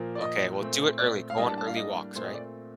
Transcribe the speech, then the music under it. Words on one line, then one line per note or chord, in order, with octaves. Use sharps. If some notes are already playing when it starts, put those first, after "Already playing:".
Okay, well, do it early. Go on early walks, right?
Already playing: A#2 F3 A#3
D5
D#5
A#2 A3 C4
D5
F5
A2 G3 A#3 D4 D#5
A5
A5
F5
D#5
A#2 A3 C4 C5
D#5
D5